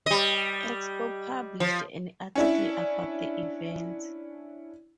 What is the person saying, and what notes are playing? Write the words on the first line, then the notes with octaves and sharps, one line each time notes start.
Expo published an article about the event.
G3 D#5
F3
C#4 D4 E4